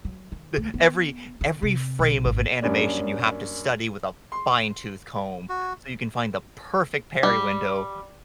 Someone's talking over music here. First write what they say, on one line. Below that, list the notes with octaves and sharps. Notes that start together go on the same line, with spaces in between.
D every every frame of an animation, you have to study with a fine tooth comb so you can find the perfect parry window,
F#3
D#3
D2
B3
D3
C3
B1
G#1
F#2 G3 A#3 C#4 D4
C6
F#4
G3